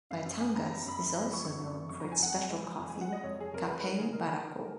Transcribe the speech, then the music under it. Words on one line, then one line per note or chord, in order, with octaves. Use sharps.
Batangas is also known for its special coffee, "kapeng barako".
F#2 F5
F#2
F#2 G#5
F#2 A#5
A#5
B3
A#5
F#2 B5
F#2 B5
F#2 A#5
B5
F3 C#6
F#2 C#6
F#2
F#2
F2 C#6
F3 A#5
G#5
F2 F#5
F2 G#5
G#3
F3
F2
G#3 G#5
F#5
G#3 D#5
F2 C#5
F2 G#4
F2 A#4
F2 B4
D#4 A#4
D#3 G#4
D#3 A#4
D#3
D#3
D#4